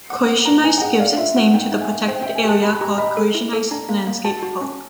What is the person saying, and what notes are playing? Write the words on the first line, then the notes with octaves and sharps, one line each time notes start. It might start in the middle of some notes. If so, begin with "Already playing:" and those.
Kozienice gives its name to the protected area called Kozienice Landscape Park.
F#5
F#5
B4 A#5
B4 G#5
G5
G#4 F#5
D5 F5
F4 E5
F4 F#5
D#4 G5
D#4
G#5
A#3
C5 G5
G5
E5
G#5
G4 A5
G4 B5
G4 A#5
D#5 B5
A4
E4
A4
D4 A#5
A#3
A#3
F#4 A5
F#4
C#4